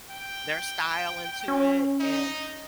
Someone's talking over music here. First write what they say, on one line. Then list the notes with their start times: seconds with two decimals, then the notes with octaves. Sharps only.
their style into it, and,
0.10 G5
1.48 C#4
2.00 D#4